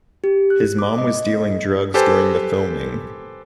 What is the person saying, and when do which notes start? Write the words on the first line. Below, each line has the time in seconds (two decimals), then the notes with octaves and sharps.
His mom was dealing drugs during the filming.
0.24 G4
0.50 F#6
0.79 D6
0.98 D#5
1.94 G4 A4 B4 C5 G#5 A5